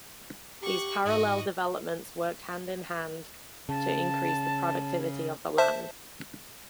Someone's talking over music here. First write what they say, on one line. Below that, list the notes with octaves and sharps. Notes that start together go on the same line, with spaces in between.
These parallel developments worked hand in hand to increase the productivity of the land.
G4 F#5 C#6
G#2 F#4 D#5
C#3 A5
C5 E5 A5